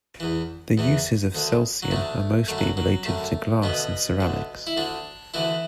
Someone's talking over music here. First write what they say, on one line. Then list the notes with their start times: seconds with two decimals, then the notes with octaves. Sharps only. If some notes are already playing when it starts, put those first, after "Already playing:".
The uses of celsian are mostly related to glass and ceramics.
0.20 E2 E3
0.78 E2 E3
1.35 D2 D3
1.82 F#3
1.91 D2 D3 A3
2.48 F#2 D3 A3
2.58 F#3
2.77 F#3
3.05 F#2 D3 A3
3.62 D2 B2 D3 B3
4.20 D2 D3
4.67 E4
4.77 D2 D3 D4
5.34 D2 D3 E3 E4